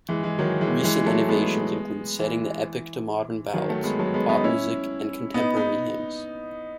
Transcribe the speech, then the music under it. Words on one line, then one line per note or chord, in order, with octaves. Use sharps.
Recent innovations include setting the epic to modern ballads, pop music, and contemporary hymns.
E3 G#3
E3 G#3
D#3 F#3
E3 G#3
E3 G#3
F#3 A3
G#3 B3
E3
D#3 F#3
F#3 A3
G#3 B3
F#3 A3
G#3 B3
B3 D#4
C#4 E4
B3 D#4
B3 D#4